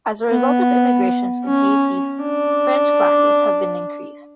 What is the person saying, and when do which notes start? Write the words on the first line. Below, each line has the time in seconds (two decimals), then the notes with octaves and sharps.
As a result of immigration from Haiti, French classes have been increased.
0.28 B3
1.44 C#4
2.21 D4